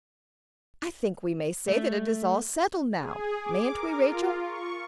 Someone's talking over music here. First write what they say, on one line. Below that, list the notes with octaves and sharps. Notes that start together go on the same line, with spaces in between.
I think we may say that it is all settled now;--mayn't we, Rachel?
A3
G#4
D6
A#4
F4
C#6